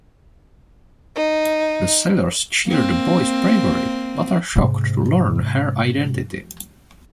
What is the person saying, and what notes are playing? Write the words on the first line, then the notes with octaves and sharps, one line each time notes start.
The sailors cheer the boy's bravery, but are shocked to learn her identity.
D#4
A#3 C4
G#2 C3